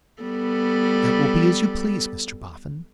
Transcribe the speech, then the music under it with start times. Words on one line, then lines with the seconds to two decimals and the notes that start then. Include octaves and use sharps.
'That will be as you please, Mr Boffin.
0.22 G3 B3 A4